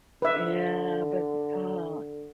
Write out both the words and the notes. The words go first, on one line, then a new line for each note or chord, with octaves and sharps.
Yeah, but, aw
D3 B4 E5